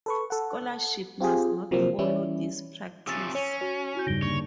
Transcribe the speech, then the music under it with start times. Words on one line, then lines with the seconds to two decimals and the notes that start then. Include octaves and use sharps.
Scholarship must not follow this practise.
0.06 A4 B4 C#6
0.30 A4 F#5
1.21 C4 F4 G4 G#4
1.71 C3 F3 F#3 A#3 C4
1.99 E3 G3 C#4 E4
3.07 C3 F3 C#4 E6 A6
3.35 C#4 C#5
3.61 F#4 C#5
3.95 E4 F#4 G6
4.07 E2 G2 C#3 G3 D#4 A#6 D7 G7
4.22 D3 A#3 D4 C#5